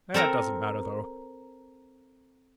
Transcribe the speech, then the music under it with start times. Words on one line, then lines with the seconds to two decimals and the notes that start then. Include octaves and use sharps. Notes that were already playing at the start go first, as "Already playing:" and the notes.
It doesn't matter, though.
0.14 C4 A4 A#4 A#5